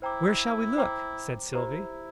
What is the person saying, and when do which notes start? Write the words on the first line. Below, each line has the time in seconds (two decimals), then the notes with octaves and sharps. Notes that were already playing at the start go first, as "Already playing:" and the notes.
"Where shall we look?" said Sylvie.
0.02 E4 C5 G5 A#5 D6
0.77 C5 G5 A#5 D6
1.53 E4 G4 C5 E5 A#5